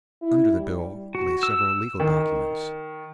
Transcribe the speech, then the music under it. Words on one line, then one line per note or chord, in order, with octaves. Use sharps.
Under the bills lay several legal documents.
E4
G3
F#4
E6
D#3